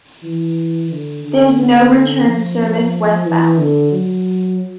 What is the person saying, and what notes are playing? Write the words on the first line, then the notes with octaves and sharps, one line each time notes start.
There is no return service westbound.
E3
D3
D3
D3
F3
E3
D3
F#3